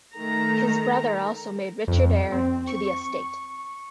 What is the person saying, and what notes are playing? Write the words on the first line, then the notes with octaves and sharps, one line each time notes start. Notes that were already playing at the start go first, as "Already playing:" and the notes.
His brother also made Richard heir to the estate.
D#3 A3 A#5
F2
C4
C#6